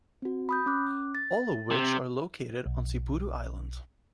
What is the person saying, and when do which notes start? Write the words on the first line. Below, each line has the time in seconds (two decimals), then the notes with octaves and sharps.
All of which are located on Sibutu Island.
0.22 C4 F#4
0.49 B5 D#6 G6
0.66 C#4 D6 F#6
1.15 A6
1.71 C3
2.66 B1